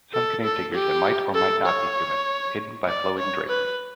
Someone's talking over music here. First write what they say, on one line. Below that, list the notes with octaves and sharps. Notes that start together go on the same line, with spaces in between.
Some contain figures that might or might not be human, hidden by flowing drapery.
A4
A4
G4
A4
C#5
D5
C#5
B4